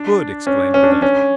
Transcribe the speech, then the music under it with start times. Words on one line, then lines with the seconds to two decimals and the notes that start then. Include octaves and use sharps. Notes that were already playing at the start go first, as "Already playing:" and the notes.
"Good!" exclaimed Benito.
Already playing: D4
0.47 C#4
0.74 C#4
0.83 D4
0.92 C#4
1.02 C#4